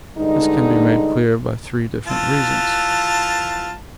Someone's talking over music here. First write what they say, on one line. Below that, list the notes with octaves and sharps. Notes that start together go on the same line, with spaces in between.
This can be made clear by three different reasons.
G2 D3 G#3 D#4
E3 F4 A5